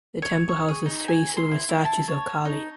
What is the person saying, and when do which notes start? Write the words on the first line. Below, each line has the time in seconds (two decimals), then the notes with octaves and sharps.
The temple houses three silver statues of Kali.
0.22 C#5
0.49 C#6
0.68 G#4
0.86 D#4
1.08 G#5
1.37 C6
1.51 E4
1.69 E4
1.85 A5
2.08 C#5
2.45 D#4